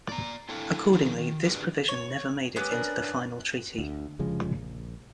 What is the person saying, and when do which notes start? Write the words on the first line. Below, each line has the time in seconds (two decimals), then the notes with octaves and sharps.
Accordingly, this provision never made it into the final treaty.
0.09 D5 A#5
0.49 C4 D4 E4 A4 D5 F5
0.93 D#3 F3 D4 D#4 A4
1.19 D#3
1.45 D4 G4 G#4 A#4 B4 D5
1.88 C#5
2.56 G#3 B3 C#4 G4
2.71 D4 A#4
3.78 D2
4.19 F1 C#3 F3 G#3
4.53 A#1